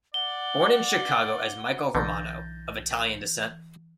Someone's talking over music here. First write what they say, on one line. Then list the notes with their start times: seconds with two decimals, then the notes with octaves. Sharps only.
Born in Chicago as Michael Romano, of Italian descent.
0.14 D5 F#5 G7
1.95 B1 D3 E3 G6 A6 A#6